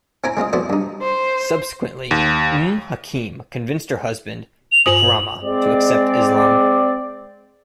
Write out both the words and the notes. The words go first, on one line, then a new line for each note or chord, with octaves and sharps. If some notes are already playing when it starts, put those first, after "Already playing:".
Subsequently, Umm Hakim convinced her husband Ikramah to accept Islam.
C4 E4 C5 G5 G#5 A#5
G#3 C4 F4 D#5
F2 B3 E4 F#4 C5 D5
G2 D#4
C5
D#2
F7
G2 C5 D#6 F#7
G#3 C4 D5